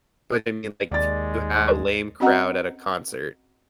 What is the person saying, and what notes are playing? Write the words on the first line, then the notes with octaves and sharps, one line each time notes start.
But, I mean, like, if you have a lame crowd at a concert
D#2 G#3 D5 A6
C4 C#4 F#4 D#5 F#5 A#5